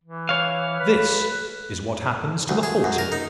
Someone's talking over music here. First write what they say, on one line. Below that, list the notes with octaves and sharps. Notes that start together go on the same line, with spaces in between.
This is what happens to the haughty.
E3
C#5 F5
B4
D2
G#4
F#2
A#4
D#4